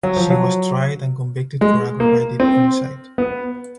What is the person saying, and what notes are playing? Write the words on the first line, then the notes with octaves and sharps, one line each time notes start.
She was tried and convicted for aggravated homicide.
F#3
F3
F#3
G#3
A#3
C4
B3